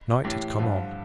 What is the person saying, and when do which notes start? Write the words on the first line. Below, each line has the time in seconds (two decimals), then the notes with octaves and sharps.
Night had come on.
0.24 A2 E3 G4
0.58 G2 D3 F3 F4